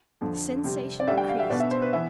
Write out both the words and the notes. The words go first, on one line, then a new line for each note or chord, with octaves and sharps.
The sensation increased.
F2 D3 F3
C3 G3 C4
D5
D2 D3 G3 D4 E5
G5
F5
E5
B2 B3 D4 D5
E5
C5
B4
E3 B3 E5